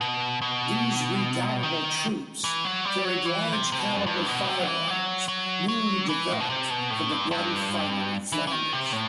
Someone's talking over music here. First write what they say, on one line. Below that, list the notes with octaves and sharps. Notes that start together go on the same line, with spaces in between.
These redoubtable troops carried large-calibre firearms newly developed for the bloody fighting in Flanders.
B2
B2
D#3
E3
F#3
G3
F#3
E3
C3
C3
B2
F#2
G2
B2
C3
F#3
E3
F#3
F#3
F#3
E3
A2
B2
C3
B2
A2
G2
G2
E3
E3
D#3
C3
A2